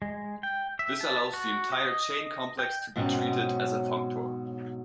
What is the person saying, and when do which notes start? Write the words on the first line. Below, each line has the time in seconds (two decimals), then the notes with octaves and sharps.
This allows the entire chain complex to be treated as a functor.
0.02 G#3
0.43 G5
0.79 E5
1.01 A5
1.34 F#4
1.72 D#5
2.59 G5
2.96 G#2 B2 F#3 C4 C#4